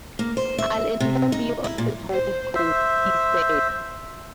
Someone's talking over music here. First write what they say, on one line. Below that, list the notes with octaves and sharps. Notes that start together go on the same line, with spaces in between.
'I’ll inform you of its whole scope,’ he said.
A#3
C5
E5
C3
D#4
E4
A#2
C5
C5 E5